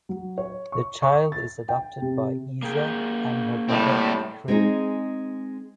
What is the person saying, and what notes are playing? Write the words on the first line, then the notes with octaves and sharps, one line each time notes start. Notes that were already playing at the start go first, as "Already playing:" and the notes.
The child is adopted by Iza and her brother Creb.
F#3
C#5
C#6
C#6
A6
G5
C3
A#3 G#4 G5
A2 G3 C4
G#3 C4 D#4 G#4